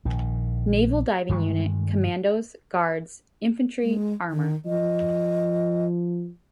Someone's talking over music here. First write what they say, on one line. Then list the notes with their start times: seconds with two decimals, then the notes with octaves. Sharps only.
Naval Diving Unit, Commandos, Guards, Infantry, Armour.
0.05 A#1 D#3
1.29 G2 D#3 G#3 A3
3.83 G#3
4.31 D#3
4.66 F3 D#5